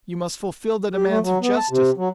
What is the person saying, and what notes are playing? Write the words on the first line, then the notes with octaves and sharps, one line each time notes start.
You must fulfil the demands of justice.
G4
A3
F#3
B3
A5
C3
F#3